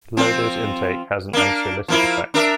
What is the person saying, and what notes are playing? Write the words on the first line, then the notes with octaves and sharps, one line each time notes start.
Low dose intake has an anxiolytic effect.
F3 C4
A#3 D4
F3 A#3 E4
D4 A#4 E5